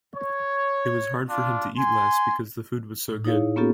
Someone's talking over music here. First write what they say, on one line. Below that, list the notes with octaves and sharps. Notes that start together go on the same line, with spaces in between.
It was hard for him to eat less because the food was so good.
C#5
D4 F4
G#5 C6
A2
D#4 E4 G#4 C#5 F5
A#3 B3 C#4 F4 G4 A4